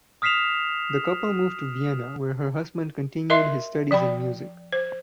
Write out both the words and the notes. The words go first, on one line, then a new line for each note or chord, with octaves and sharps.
The couple moved to Vienna where her husband continued his studies in music.
D#6 F6 B6 C7 E7 F7
A#4 D#5 E5 C6
F3 D5 G5 B5
C5